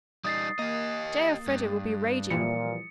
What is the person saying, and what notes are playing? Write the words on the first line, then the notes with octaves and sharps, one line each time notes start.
J. Elfreda will be raging.
G3 D#4 D#6 A6 C7
A#3 G4 D#5
G2
A#2 E3 F3 G3 C#7